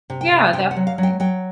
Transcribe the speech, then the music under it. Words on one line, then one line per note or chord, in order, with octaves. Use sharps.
Yeah, definitely.
C3
G5
C3
C3 G5
F#5
F#3
F5
F#3
G5
F#3 G5